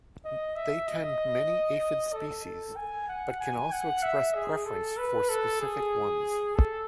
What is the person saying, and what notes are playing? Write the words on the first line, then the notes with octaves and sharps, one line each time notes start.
They tend many aphid species but can also express preference for specific ones.
D#5
E5
D#5
A4
A4
G#5
F#5
G#5
F#5
E5
G#4
A4
B4
A4
G#4
A4